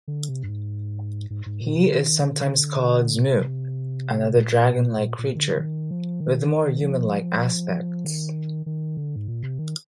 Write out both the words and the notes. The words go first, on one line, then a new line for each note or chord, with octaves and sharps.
He is sometimes called "zmeu", another dragon-like creature, with more human-like aspects.
D3
C3
G2
G#2
G#2
G#2
A#2
C3
D3
D#3
D3
C3
A#2
A#2
A#2
D#3
D3
D3
D#3
F3
D#3
F3
D#3
D#3
D3
G#2
A#2
C3
D#3